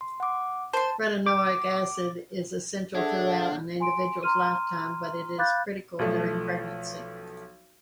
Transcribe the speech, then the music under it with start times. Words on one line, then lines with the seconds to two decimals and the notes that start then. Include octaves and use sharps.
Retinoic acid is essential throughout an individual's lifetime, but it is critical during pregnancy.
0.01 C6
0.20 F#5 D6
0.73 C5 A5 C6
1.27 D6
2.95 D4 G#4 A4 E5 F#5 G#6
3.80 G#5 C6 D7
4.23 A#5 C6 F6 D#7
5.38 F5 B5 D6 F#6 G6 A6
5.99 B1 F3 A3